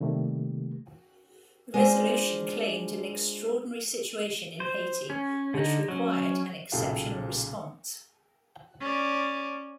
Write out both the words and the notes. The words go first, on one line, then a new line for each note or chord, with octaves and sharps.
The resolution claimed an extraordinary situation in Haiti, which required an exceptional response.
C3 D#3 G3 A3 A#3
G#3 D4 F4 C5
C5
C#4
D3 D#4
F#3 C#4
B1 A#2 C#3 A4 F5 G5
C#4 D5